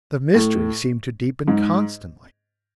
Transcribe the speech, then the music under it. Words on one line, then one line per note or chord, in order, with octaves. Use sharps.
The mystery seemed to deepen constantly.
A2
G#2